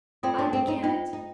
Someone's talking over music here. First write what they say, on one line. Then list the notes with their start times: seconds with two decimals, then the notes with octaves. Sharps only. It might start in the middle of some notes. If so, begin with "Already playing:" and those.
I began it!
0.23 C4 F4 A4 D5 G5 C6
0.39 D4
0.53 C4
0.68 D#4
0.83 D4 D#4 F4 C5 G5
1.13 D#4